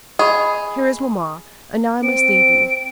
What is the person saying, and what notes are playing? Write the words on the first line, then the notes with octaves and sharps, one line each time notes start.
Here is mamma, and now I must leave you.
G#4 D#5 B5 C#6
C4 D7